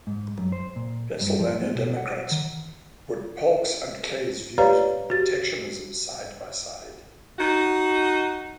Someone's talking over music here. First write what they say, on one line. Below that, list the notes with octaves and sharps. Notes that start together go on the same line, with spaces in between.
Pennsylvania Democrats put Polk's and Clay's views on protectionism side by side.
G#2
F#2
C5
A#2
G2
F3
B3
B2
F#5
D#3
G4 B4 C#5 D5 F5 A#5
F#4 G4 A6
D#4 F#4